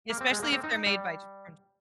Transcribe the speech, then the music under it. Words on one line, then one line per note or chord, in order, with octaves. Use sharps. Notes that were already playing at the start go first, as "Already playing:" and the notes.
especially if they're made by J from J
A#3
C4
G#3
A#3
C4
D#4
D#4
G3